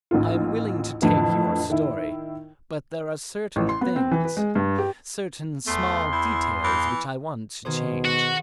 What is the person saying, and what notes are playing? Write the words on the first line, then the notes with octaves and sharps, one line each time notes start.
"I am willing to take your story, but there are certain things, certain small details which I want to change."
A1 D#2 F4
F2 A2 D3 E3
D#3 E4
A1
C6
B3
C4
E3
B4
G#3
G2
G4
E2 A3 C6
E4
E3
B2 D#3 G#4 C5
F#4